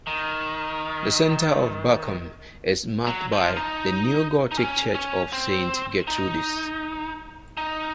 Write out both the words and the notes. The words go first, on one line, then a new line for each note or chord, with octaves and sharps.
The center of Bockum is marked by the neogothic church of Saint Gertrudis.
D#3
F#3
F3
D#4
D#4
C#4
C#4
C4
D#4
D#4